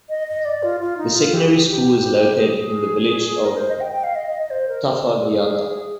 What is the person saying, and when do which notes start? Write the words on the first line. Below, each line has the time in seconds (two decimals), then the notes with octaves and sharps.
The Secondary School is located in the Village of Tafaigata.
0.09 D#5
0.28 D#5
0.45 D5
0.63 F4
0.80 F4
0.98 D#4
1.16 F4
1.33 G4
1.43 G#4
1.53 G4
1.69 G4
2.39 G#4
2.57 G#4
3.45 A#4
3.57 C5
3.69 D#5
3.81 G5
3.92 G5
4.04 F5
4.15 D#5
4.27 D#5
4.39 D#5
4.50 C5
4.68 A#4
5.22 G#4
5.39 G#4